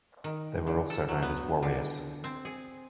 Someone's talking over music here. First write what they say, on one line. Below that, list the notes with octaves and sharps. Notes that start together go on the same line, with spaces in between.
They were also known as warriors.
D#3
D3
A4
F#3
B3
D3
C4
G#4